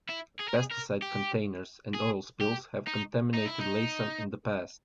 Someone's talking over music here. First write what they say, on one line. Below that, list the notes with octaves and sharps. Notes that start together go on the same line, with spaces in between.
Pesticide containers and oil spills have contaminated Laysan in the past.
E4
G#4
A#4
G#4
A#4
G4
G#4
G4
D#4
D#4
E4
D#4